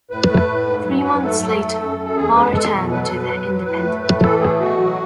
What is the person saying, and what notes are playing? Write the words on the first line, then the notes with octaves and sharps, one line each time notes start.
Three months later, Marr returned to "The Independent".
A2 B4
A3
A2
G#2
F#3
G#2 B4
A3 A4
F#3 A4
A3
F#2
F#2
A4
E2 G#4
G#3 B4
E2 A4
B2
F#3 B4
A4
B2
B4
F#3
F#3
A2 B4
A3
A2 B4
E3 A4
A3 G#4
B2 F#4
F#3